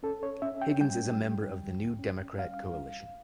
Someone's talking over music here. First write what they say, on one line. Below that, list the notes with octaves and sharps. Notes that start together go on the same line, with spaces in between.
Higgins is a member of the New Democrat Coalition.
C#4 A4
C#5
C#4 E5
G5
G3 G5
G3
D2
C#4
G3 F5